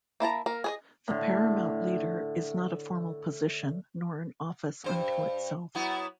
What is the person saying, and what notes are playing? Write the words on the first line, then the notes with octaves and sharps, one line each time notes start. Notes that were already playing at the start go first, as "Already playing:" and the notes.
The "paramount leader" is not a formal position nor an office unto itself.
A#3 E4 A5 A#5
A#3 A#4
G#4 B4 D#5
A2 D3
G2 C5
F#3 B3 E4